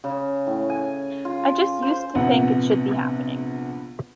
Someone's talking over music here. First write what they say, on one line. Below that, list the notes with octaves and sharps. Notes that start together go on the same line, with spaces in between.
I just used to think it should be happening.
C#3
A2
G#5
F4
C5
A#1 C3 B3 F#5